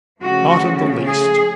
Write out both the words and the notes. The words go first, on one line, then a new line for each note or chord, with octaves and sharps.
"Not in the least."
C#3 F3 A3 F#4
G#4